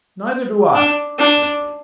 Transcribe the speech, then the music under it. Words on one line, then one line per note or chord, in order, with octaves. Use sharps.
"Neither do I," said Bince.
D4
D4